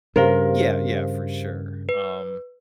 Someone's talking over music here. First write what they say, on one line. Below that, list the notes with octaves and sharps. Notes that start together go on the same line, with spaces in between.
Yeah, yeah, for sure, um,
G2 C#3 G4 A#4 C5 F5
B4